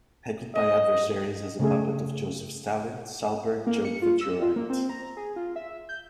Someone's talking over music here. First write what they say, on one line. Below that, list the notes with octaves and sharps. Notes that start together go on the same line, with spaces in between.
Heckled by adversaries as a puppet of Joseph Stalin, Salsberg joked that You're right.
D#5
C#3 A3 G#4
A#3
C#7
F4
E6
F4
A#3
C4
A#5
G#4
F4
E5
G6